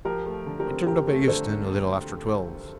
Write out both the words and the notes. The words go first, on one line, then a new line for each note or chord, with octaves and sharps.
He turned up at Euston, a little after twelve.
F3 G4 A#4
A3
D3
G4 A#4
C4
F3 G4 A#4
A3
D3 A4 C5